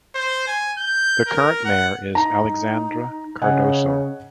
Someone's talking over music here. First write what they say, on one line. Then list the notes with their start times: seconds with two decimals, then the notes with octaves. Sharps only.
The current mayor is Alexandre Cardoso.
0.15 C5
0.48 G#5
0.78 G6
1.28 A#4
1.65 F#5
2.15 D#4 A#5
3.42 C#3 D#5 F#5 G#5